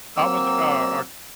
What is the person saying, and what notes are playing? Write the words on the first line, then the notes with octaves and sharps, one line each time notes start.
I was, a, uh uh
F#3 A#3 C4 E6